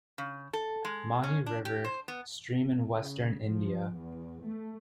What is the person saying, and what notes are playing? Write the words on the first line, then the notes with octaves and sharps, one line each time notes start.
Mahi River, stream in western India.
C#3
A4
G#3
C#4
D4
G4
C5
B3
C#3
F3
E2
A3